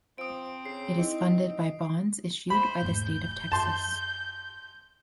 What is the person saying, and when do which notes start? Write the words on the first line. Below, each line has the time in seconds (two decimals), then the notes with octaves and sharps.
It is funded by bonds issued by the state of Texas.
0.18 F3 C4 D#6 D7
0.65 C#3 C7
0.98 D#4 E4
2.50 C5 B5
2.82 E1 G#2 A3 G6
3.52 F#2 A5 C6